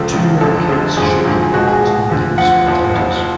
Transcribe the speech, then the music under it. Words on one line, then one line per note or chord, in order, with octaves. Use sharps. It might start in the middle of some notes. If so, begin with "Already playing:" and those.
Two young kids shaking hands in the middle of spectators.
Already playing: C#2 C#3 F3 A4
C#2 C#3 F3
F1 F2 D3 A4
F1 F2 D3
G#1 F#2 D3 F3 G#4
G#1 F#2 D3 F3
G#4
C#2 B2 F#4
G#4
C#2 B2
D2 D3 F3
D2 D3 F3 F#5
F#1 F2 F3
F#1 F2 F3